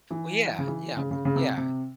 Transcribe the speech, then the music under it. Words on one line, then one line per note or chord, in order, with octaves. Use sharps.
Well, yeah, yeah, I mean yeah.
E3
C#3
E3
C#3
C#3
C#3
C3
C3